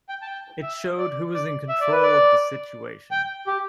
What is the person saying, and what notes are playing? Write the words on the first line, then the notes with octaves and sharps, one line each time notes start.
It showed who was in control of the situation.
G5
A5
G5
E5
D5
D5
E5
D5
B4
D5
G5
G4